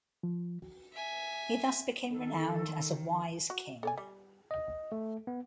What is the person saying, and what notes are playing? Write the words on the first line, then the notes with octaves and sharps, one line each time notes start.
He thus became renowned as a wise king.
F3
E5 G#5
D#3 A4
F#4
A4 D5 G#5
G3
D#5
A3
B3